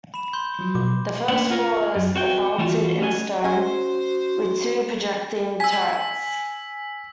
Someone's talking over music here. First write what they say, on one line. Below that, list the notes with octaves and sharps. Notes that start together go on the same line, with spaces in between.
The first floor is vaulted in stone, with two projecting turrets.
B5 E7
C6 G6 G7
F3 F#3
B2 D6
A3 A#3 C#4 D4 B4 F#5
F4 A#4 C#5
F#2
C4 F#4 C#5 G5
E3 G3 A3 C#4 F4 F#4
G3 A3 C#4 F#4 D#5 G#5
C#4 F#4 C5 D#5 G#5
G#5 E6 B6